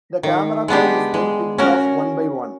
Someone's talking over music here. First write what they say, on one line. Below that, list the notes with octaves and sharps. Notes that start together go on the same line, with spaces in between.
The camera crew is then picked off one by one.
D#3
G#3 B3 D4 G4
G#3
C#4 F#4 A#4